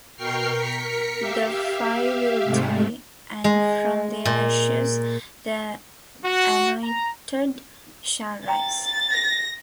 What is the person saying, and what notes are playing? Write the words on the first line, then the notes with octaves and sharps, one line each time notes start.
The Five will die, and from their ashes the Anointed shall rise.
B2 A#4 G5 C#6 F6 C7
A#4 B6 C#7
G4 E5 F5
G#2 C3 G#3 A3
G#3
A#2
F#4
A#5
G5 A#5 A6
A#6